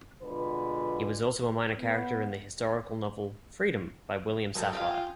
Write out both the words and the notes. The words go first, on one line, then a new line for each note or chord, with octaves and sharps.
He was also a minor character in the historical novel "Freedom" by William Safire.
B2 D3 G#3 F4 B4
B3
G2 E3 F#3 D#4 A4 G5 G#5 D#6
F4 G4 D#5 F5